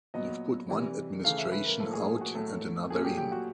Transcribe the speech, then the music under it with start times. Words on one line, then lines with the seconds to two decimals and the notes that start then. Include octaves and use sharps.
You've put one administration out and another in.
0.14 A#2 F#3 B3 D#5
0.69 C3 E3 G3
1.24 C#3 E3 A3 F5
1.38 E5
1.52 B4
1.66 A#4
1.80 A2 F3 A#3 A4
1.93 G#4
2.21 F#4
2.35 A2 F#3 A3
2.90 A#2 F#3 A3 G#4
3.04 G4
3.18 G4
3.32 F#4